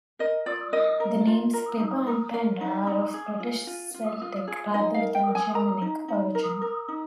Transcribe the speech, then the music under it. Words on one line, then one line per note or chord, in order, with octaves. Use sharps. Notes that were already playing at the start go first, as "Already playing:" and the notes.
The names Pybba and Penda are of British Celtic, rather than Germanic, origin.
A#4 D#5
F4 D5
A#4 D#5
A#4
F4
A#4
D#4
A#4
A#4 F5
D#4
D#4
G#4
F4
F4
F4
F4
G#4
D#4 D#5
F5
A#4
G5
A#4
G#5
A#4 A#5
D#4
D#4
A#4
A#4
D#4